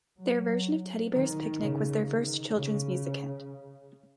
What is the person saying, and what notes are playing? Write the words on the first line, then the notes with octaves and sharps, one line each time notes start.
Their version of "Teddy Bears' Picnic" was their first children's music hit.
F#3
D#3
C#3
D#3
C#3